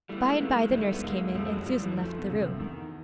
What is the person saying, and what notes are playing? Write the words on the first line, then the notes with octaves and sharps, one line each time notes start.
By and by the nurse came in, and Susan left the room.
G3 A3 E4
B3
G#3 A#3
D#3 A3 B3
G#3 A#3
D2 G3 A3
B3
D2 G#3 A#3
F2 G3 A3
F#3 G#3
F2 F3 G3
E3 F#3
D#3 F3 A3
B2
D2 C#3
C3
E2 D#3